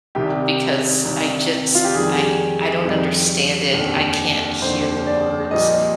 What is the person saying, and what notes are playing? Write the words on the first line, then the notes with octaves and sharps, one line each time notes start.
because I just, I I don't understand it. I can't hear the words,
C2 C3 D#3 G3 G4
C2 C3 D#3 G3
F4
G4
F2 D#3 G3 G#4
F2 D#3 G3
F1 D#2 D3
F1 D#2 D3 C5
D5
A#1 A#2 G3 D#5